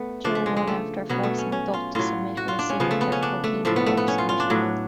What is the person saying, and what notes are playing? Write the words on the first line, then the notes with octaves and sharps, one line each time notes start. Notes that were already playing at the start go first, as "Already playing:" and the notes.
Joe won after forcing Dutt to submit with his signature Coquina Clutch submission hold.
Already playing: A3 B3
C#3 F3 D4
A3
G#3
G#3
A3
B2 F#3 B3
A3
C#4
C#4
F4
A2 F#3 F4
F#4
F4
D4
C#4
C#3 F3 B3
A3
B3
C#4
D4
A3
A2 F3 A3
B3
A3
B3
C#4
F4
F4
D4
A2 F#3